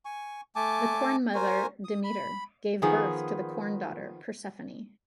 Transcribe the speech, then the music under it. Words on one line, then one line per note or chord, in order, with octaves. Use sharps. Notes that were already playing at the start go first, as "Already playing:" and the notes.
The Corn Mother Demeter gave birth to the Corn Daughter Persephone.
G#5 C#6
A3 G#5 A5 D6
F#4 A#4 C5 G#5
D#6
B5
D#3 F3 B3 G#4